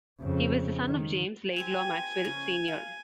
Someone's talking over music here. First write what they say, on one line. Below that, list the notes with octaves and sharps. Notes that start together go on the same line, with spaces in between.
He was the son of James Laidlaw Maxwell, Senior.
F2 C#3
D#3
C4 G4 C5 G#5
C#3 F3 C#4
F5